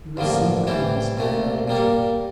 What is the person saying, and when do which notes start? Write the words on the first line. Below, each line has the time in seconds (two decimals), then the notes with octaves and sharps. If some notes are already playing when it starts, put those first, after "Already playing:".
He would soon be amidst living creatures.
0.17 A1 G2 D3 F3 A#3
0.67 A2 E3 G3 C4 E4
1.17 C2 A#2 A3
1.68 A#2 G3 A#3